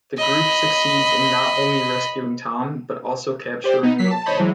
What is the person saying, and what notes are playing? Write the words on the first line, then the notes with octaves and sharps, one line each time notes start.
The group succeeds in not only rescuing Tom, but also capturing Loki.
D#5 B5
G4 C5 D5
B3 D#4
F#3 B6 C7
A5
C5 C#5 D#5 A5 B5
E3 F#3 G#3